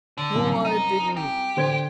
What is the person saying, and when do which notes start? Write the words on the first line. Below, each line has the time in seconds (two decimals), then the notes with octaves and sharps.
No, I didn't.
0.18 D3
0.35 C2 F#2
0.65 D#4
1.17 G4
1.57 D3 C5 G#6